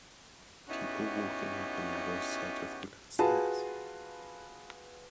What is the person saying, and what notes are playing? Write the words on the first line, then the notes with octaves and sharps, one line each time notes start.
People walking up a narrow set of wooden stairs.
B3 C#4 D#4 E4 F#4 G4
F4 F#4 G#4 B4 A5